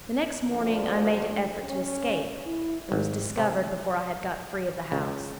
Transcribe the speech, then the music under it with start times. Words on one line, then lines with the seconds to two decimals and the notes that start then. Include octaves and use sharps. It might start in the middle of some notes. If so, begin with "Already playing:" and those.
The next morning I made an effort to escape, and was discovered before I had got free of the house.
0.50 D2 F3
1.62 C#4 C#5
2.45 E4
2.92 G#1
3.38 C3
4.92 C#2